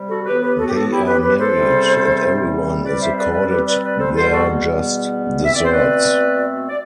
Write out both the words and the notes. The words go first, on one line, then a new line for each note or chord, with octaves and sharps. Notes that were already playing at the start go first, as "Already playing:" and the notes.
They are married; and everyone is accorded their just deserts.
Already playing: C3 G3
F#4 A4
A2 E3 B3 G4 B4
G4 B4
F#4 A4
G4
F#4 A4
E4 G4
G4 B4
G4 B4
A4 C5
E2 C3 G3 C4
C3 G3 C4 B4 D5
C5 E5
B4 D5
B4 D5
G4 B4
B4 D5
B4 D5
A4 C5
E2 B2 G3 B3 A4 C5
F#4 A4
B2 A3 C4 E5
D5
C5
B4 D5
D5